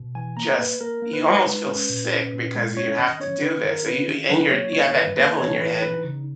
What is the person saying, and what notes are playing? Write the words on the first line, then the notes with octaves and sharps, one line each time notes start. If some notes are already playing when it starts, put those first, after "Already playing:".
just you almost feel sick because you have to do this, and y and your you have that devil in your head
Already playing: B2
E3 G#5
A#3 A#5
A#3 B4
A#3 A#4
A#3
B4
D#4
G#3
C#4
A#2
C#4
A#2
G#3
C#4 C#5
D#3 D#5
C#4 C#5
D#3 B4
D#3 A#4
C#4 B4
D#3
F#3 B4
A#3 C#5
D#3 C#5
D#3 B4
A#3 B4
E3 C#5
E3 B4
D#4 B4
C#3